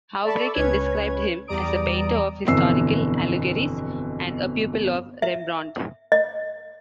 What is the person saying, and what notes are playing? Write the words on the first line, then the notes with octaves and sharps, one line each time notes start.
Houbraken described him as a painter of historical allegories and a pupil of Rembrandt.
A4 D5 E5 A5 B5 C#6
C#2 C#4 B4 C#5 G#6
E2 G3 D5 A#5 D#6 D7
G1 F2 B2 E3 E6 C7
E5
D#5